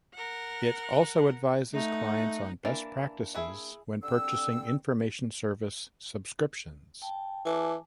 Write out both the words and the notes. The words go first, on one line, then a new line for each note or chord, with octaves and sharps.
It also advises clients on best practices when purchasing information service subscriptions.
A#4 F#5
A3 D#4 F#5
E3 A#3 D4
E4 G#4 E5
D3 G3 C4 E6
G5 A5
E3 G#5 A5 D6